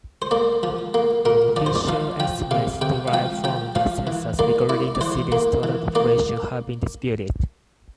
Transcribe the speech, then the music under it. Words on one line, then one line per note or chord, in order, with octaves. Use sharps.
Official estimates derived from the census regarding the city's total population have been disputed.
C5
A#3 D5
F3
A#3
A#2 A#4
F3 D5
C5
D5
F3 F5
F3 G5
C3 F5
C3 G5
F5
F3 G5
F3 G5
F3 F5
E3
A#3 D5
E4 D5
D5
E3 C5
A#3
E3
A#3 D5